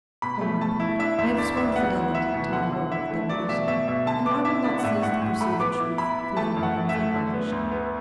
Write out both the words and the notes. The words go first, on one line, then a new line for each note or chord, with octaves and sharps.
For my part, I have sworn fidelity to my work of demolition, and I will not cease to pursue the truth through the ruins and rubbish.
B2 B5
A3
A3 A5
E4
D4 E5
D2 E5
D3 D5
D2 E5
B3 F#5
E4
E4 E5
B2
D3 F#5
D3
E4 E5
A3
F#3 D5
B2 E5
B2 E5
B2 E5
D3 A5
B3 D6
E4 E5
D3 D5
F#5
A2 E5
A2 F#5
A2
A3 B5
B3 D6
E4
E4 B5
E4
A3 A5
F#2
F#5
F#2
E5
A3
D3
B3
D2
B3